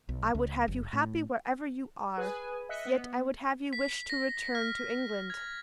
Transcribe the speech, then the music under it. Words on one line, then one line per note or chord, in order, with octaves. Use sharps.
I would have you happy wherever you are: yet I would have you wish to return to England.
B1
C#2
F#1
A2
G#4 B4 G#5
D#5 E5 F#6 B6 C#7
B3
B6
A#6
F6
G#6